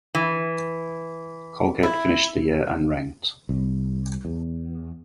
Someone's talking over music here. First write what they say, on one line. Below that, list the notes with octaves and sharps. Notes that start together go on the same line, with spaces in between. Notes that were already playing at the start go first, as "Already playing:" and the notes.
Colgate finished the year unranked.
E3
E4
C2
E2